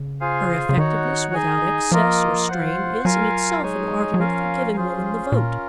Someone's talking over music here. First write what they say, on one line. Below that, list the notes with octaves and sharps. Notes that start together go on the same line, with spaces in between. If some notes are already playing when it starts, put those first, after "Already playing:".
Her effectiveness without excess or strain is in itself an argument for giving woman the vote.
Already playing: C#3
F4 G#4 C5 F5 G#5
C#3
D#3 D#4 F#4 C#5 F#5
D#4 G#4 D#5 G#5
F3 A#3 F4 A#4 D#5
F4 C5 F#5
F#3 F4 A#4 F5 G#5
G#3 D#4 G#4 C#5 G#5
F#3
F3 C#4 F4 A#4 F5 G#5
C#4 F4 G#4 C5
A#2 C#4 F4 A#4